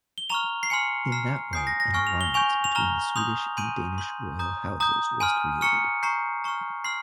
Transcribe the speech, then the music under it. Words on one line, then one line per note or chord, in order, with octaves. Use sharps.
In that way an alliance between the Swedish and Danish royal houses was created.
G7
A#5 C#6 F6 F7
C7
G#5 C6 F6 C#7
A#5 F6 C7
G#5 D#6 G6 C7
A#6
A#6
G#5 C#6 F6
F7
G7
G#5 C#6 G6 F7
F7
A#5 F6 G7
C6 D#6 G6 F7
G#5 C6 G6 D#7
C6 G6
A#5 D#6 G6
A#5 D#6 G6
G#5 C6 F6 D#7
A#5 C#6 F6 C#7
A#5 C#6 G6 C7
A#5 C#6 F6
C6 F6 C7